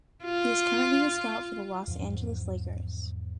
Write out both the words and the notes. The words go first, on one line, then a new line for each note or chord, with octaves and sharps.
He is currently a scout for the Los Angeles Lakers.
F4
E2 G#2 F3